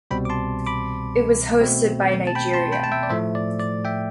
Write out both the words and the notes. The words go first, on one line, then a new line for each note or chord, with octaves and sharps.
It was hosted by Nigeria.
C2 B2 G3 C4 G5 B5
D6
A5 C6
B5 D6
B2 A3 C4
A5
G5 B5
A5 C6
G5 B5
A5
E5 G5
D5
A2 F3 A3 C5 E5
D5
D5
E5 G5